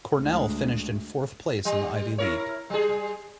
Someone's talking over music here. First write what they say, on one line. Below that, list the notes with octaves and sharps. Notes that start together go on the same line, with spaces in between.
Cornell finished in fourth place in the Ivy League.
D2 G#3
G3
E4 A#4 C#5
G3 G#4